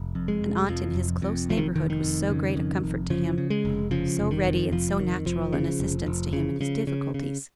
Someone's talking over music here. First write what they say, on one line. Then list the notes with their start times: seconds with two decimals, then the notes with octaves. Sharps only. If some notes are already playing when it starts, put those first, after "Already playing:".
An aunt in his close neighbourhood was so great a comfort to him,--so ready and so natural an assistance to him in his difficulties!
Already playing: F1
0.15 F2
0.28 G#3
0.42 F1
0.69 F2 F3
0.95 F1
1.22 F2
1.49 F1 F3
1.57 D#3
1.76 F1 D#3
1.90 D#3
2.03 F2
2.30 C#3
2.56 F2
2.83 F1
3.10 C#3 F3
3.38 C#3
3.50 G#3
3.65 F1
3.91 C#3 F3
4.19 F1
4.31 D#3
4.45 F2
4.71 F1 F3
4.99 F2 D#3
5.25 F1 F3
5.53 C#3
5.80 F1
6.06 F1
6.33 C#3
6.61 C#3
6.87 C#3
7.14 C#3